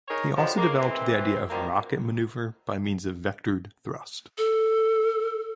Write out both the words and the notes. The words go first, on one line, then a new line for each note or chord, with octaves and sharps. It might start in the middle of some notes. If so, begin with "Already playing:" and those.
He also developed the idea of rocket maneuver by means of vectored thrust.
D#4 G#4 A#4 C#5
G2 D3 F3 F#3 G#3
C#3 G#3 A#3
E3 C4
G2 B2 F3 A#3
A4